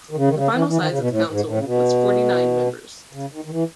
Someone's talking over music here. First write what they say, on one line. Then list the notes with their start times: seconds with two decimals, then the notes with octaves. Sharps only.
The final size of the council was forty-nine members.
0.11 D#3
0.16 C#3
0.28 D#3
0.35 C#3
0.53 E3
0.67 E3
0.77 D#3
0.88 C#3
0.98 B2
1.09 A2
1.28 G#2
1.46 A2
1.57 C#3
1.65 B2
3.13 C#3
3.32 D#3
3.45 D#3
3.51 E3